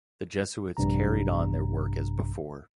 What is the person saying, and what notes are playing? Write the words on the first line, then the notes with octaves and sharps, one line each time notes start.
The Jesuits carried on their work as before.
A#1 G2 C3 A#5